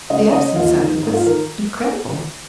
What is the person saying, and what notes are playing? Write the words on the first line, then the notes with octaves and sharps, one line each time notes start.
The absence of it was incredible.
C#2 D#5
C#5
C#3 D#5
D#2 F4
D#3 D#4
G#1 D#4
F4
D#3 A#4